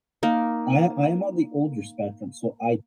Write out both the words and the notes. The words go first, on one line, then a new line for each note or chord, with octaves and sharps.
I I am on the older spectrum, so I
A#3 D#4